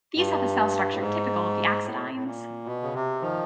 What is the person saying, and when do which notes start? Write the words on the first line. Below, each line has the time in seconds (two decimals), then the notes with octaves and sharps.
These have a cell structure typical of the axodines.
0.16 G2
0.92 A2
1.00 G#2
1.83 A2
2.14 A2
2.24 A#2
2.65 B2
2.83 C#3
2.94 C3
3.21 D#3 F3